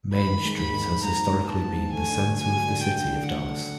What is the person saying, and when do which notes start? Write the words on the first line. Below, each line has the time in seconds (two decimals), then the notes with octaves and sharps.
Main Street has historically been the center of the city of Dallas.
0.13 G#2 B5
0.28 D#3
0.44 G#3
0.58 G#2 B5
0.74 D#3
0.88 D#3
1.03 G#2 A#5
1.19 G#2
1.33 G#2
1.49 G#2 A5
1.63 G#2
1.78 G#2
1.93 A3 G#5
2.08 D3
2.23 A3
2.37 F#3 G#5
2.53 D3
2.68 D3
2.82 D3 G5
2.98 D3
3.13 D3
3.27 A3 F#5
3.43 A3
3.57 D3